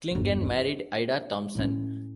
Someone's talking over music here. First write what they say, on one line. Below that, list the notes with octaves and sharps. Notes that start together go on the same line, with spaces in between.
Clingan married Ida Thompson.
G1 E2
E4
A2 C#4